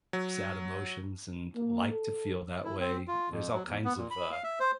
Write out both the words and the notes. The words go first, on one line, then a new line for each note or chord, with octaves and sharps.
sad emotions and like to feel that way. There's all kinds of, uh
F#3
A#3
A4
E4
C4
F4
F2
F#3
E2
B3
A#2
B5
F5
E5
C5